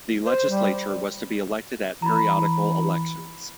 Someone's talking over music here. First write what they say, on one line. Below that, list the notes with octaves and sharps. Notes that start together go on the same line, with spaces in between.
The legislature was to be elected at periodical elections.
C5
G3
E3 A#5 B5